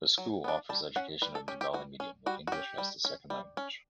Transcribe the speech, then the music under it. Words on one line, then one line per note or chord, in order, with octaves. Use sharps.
The school offers education in Bengali medium with English as the second language.
F#3
B3 D4
G3 A5
C#4 F#5
G3 B4
A4
C#4 G4
G4
G3 F#4
C#4
G3 F#4
F#4
C#4 G4
G3
C#4
G3
C#4